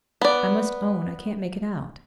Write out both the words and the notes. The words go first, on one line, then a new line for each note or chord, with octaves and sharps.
I must own I can't make it out.
B3 D5